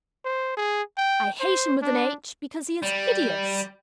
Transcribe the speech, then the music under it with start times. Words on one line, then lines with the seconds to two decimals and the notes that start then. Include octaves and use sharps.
I hate him with an H, because he is Hideous.
0.25 C5
0.57 G#4
0.97 G5
1.40 C5
1.82 D4
2.83 G3